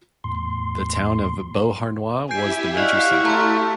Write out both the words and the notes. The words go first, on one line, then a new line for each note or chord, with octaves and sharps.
The town of Beauharnois was the major centre.
E2 A2 C6
E4 G4 E5 G#5 G6 C7 D7
F#4 D5 D#5 F5
A3 A#5 C6 F6